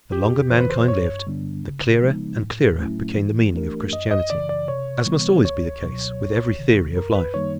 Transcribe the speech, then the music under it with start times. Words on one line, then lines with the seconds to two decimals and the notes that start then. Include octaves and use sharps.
The longer mankind lived, the clearer and clearer became the meaning of Christianity, as must always be the case with every theory of life.
0.12 F2 G4
0.50 C#3 E3 C5
0.60 B4
0.70 C5
0.88 G2 C#5
1.27 D3 G3 B3 D4
1.64 C#3
2.02 F3 G#3 B3 D#4
2.41 A2
2.79 F#3 A3 C#4 E4
3.16 E3
3.54 A3 D4 G4 A#4
3.92 F#2 D#5
4.11 D#5
4.30 C#3 E3 D5
4.49 D5
4.68 C3 C#5
5.06 E3 G3 B3
5.44 C#2 C#5
5.83 B2 F#3
6.20 C2
6.59 C3 D#3
6.96 F#2 A#4
7.15 B4
7.34 D#3 G3 A#3 D#4 C#5